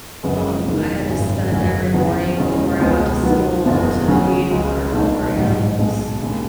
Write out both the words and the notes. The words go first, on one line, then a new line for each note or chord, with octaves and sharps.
Um, I had to spend every morning before I went to school to feed and water all of our animals.
F#1 F#2 C#3 G#3 B3
E1 E2 D#3
G#1 F#2 C#3
F#1 F#2 C#3 F#3 C#4
E2 C#3 F#3 B3
E1 E2 C#3 G#3 C#4
C#2 B2 G#3 B3
D#3 F#3 B3
F#1 E2 B2
C#3 F#3 C#4
C#2 C#3 G#3
B1 B2 A3 D#4
A1 G#2 F#3
B1 B2 G#3
D#2 C#3